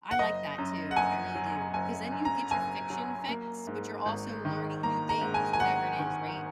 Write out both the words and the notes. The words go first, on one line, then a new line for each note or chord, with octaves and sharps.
I like that too, I really do, 'cause then you get your fiction fix, but you're also learning new things, whatever it is, right?
F#5
F#1 D#5
F#2
F#5
F#1 G#5
F#3
F#1 G#5
F#2
A#5
F#1 G#5
F#3
A#3
G#2
G#1
D#3
A#3 A#5
A#5
G#2
G#5
G#5
G#1 F#5
D#3